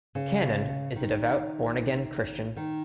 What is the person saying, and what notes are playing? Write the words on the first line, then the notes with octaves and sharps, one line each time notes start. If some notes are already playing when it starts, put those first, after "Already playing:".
Cannon is a devout born again Christian.
C#3
D#3
D#3